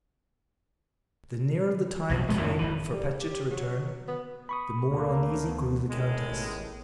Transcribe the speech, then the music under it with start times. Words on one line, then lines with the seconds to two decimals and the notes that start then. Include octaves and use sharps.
The nearer the time came for Petya to return, the more uneasy grew the countess.
2.10 B1 F2 B2
2.28 D#1 G#3 B3
2.41 F2 A2 C#3 E3
2.59 G#1 E3
2.92 G3
3.20 G4
3.51 F#3
4.08 B3
4.49 B5 C#6 D#6
4.91 D2 A3 A#3
5.48 B3
5.90 A2 D#3 G#3
6.31 A1